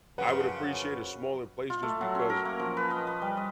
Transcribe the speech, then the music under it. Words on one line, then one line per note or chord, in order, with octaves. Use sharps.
I would appreciate a smaller place just because
F#2 C#3 F3 B4 F#5
F4
A3
F#3
C#4
A#4
A#3
F3
B4
D#5
B4
G3
D#5